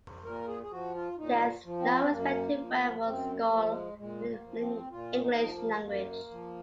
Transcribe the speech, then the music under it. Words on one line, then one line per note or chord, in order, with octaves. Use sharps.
There is no respective word for Schorle in the English language.
A#2 A#4
G#4
G#4
F3 F#4
F4
A#2 D#4
F3
C4
F#2 A#3
F3
F#2 C4
A#3
F3
G#3
A#2 G#3
A#3
F3
C4
A#2 F4
C#4
D#4
F3
A#3
F#2 A#3
F3